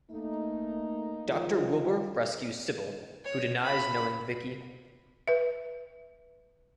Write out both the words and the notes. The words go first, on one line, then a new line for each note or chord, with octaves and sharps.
Doctor Wilbur rescues Sybil, who denies knowing Vickie.
A3 A#3 D#4
D#3 F3 F#3 G#3 F4
C#5
B5
B4 E5